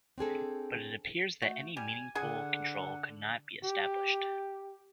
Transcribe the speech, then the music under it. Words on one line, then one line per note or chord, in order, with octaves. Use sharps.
But it appears that any meaningful control could not be established.
C4 D4 G#4 A4
A3 F#4
G3 G#5
D3 G#4 F#5 G#5
G4